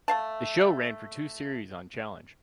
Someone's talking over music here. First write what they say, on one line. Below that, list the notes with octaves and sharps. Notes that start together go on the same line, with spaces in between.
The show ran for two series on Challenge.
A3 F5 A5